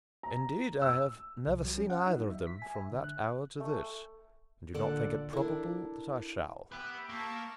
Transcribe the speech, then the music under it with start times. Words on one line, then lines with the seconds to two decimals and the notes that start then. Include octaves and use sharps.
Indeed, I have never seen either of them from that hour to this, and do not think it probable that I shall.
0.23 A#5
0.82 E6
1.46 C2
1.65 F#3
1.77 C#4
1.90 F#5
2.07 D#4
2.19 F#3
2.30 E5
2.47 B6
2.62 G#5
2.75 E5
2.91 D3
3.04 F#6
3.60 A3
4.74 A#1 D3 A4 D5 F#5
5.33 D4 E4 A4 A#4
6.72 B3 G4 B4 E5
7.09 A#3 A5 C#6